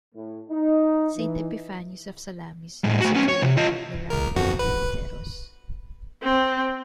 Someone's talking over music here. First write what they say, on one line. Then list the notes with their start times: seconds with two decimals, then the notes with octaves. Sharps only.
Saint Epiphanius of Salamis hesitated about the rank of the deuteros.
0.15 A2
0.50 D#4
1.17 E3
2.84 A2 G#3
3.01 A3 F#4
3.14 B3 C#4
3.28 C#5
3.42 B1 C3
3.57 F4 D#5
4.10 C#2 A#4
4.35 G1 F2 F#4
4.59 B4
6.22 C4